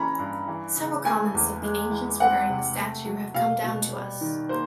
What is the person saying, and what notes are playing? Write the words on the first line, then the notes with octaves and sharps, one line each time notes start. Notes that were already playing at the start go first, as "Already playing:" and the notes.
Several comments of the ancients regarding the statue have come down to us.
Already playing: E3 C#4 A#5 B5
G2
E3
C#3
A3 G#5
E2
G#3
E3
C4 F#5
C3
A3
F#3
B2 F5
B2
G3
D#3
A#3 C5